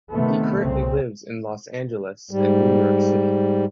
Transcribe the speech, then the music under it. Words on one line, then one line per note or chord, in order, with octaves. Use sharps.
He currently lives in Los Angeles and New York City.
C3 D#3 A3 B3
C2 C#3 C4
G#2 G3